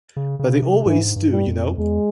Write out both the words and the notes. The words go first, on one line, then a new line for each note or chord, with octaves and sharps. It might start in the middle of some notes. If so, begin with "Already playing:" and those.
But they always do, you know.
C#3
C#3
C3
G#2 E3
G2
G3
F2
E2 G#3